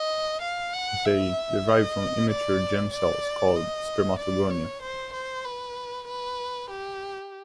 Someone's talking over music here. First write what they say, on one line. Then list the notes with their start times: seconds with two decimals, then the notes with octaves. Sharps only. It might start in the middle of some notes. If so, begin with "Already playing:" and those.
They derive from immature germ cells called spermatogonia.
Already playing: D#5
0.42 F5
0.74 F#5
1.05 E5
1.69 D#5
2.31 D5
2.94 D5
3.56 D#5
4.19 D5
4.51 C#5
4.82 C5
5.13 C5
5.45 B4
6.07 B4
6.70 G4